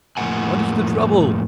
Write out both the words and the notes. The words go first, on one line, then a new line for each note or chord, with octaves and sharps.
"What is the trouble?"
F2 A2 C#3 A#3 F#5 G#5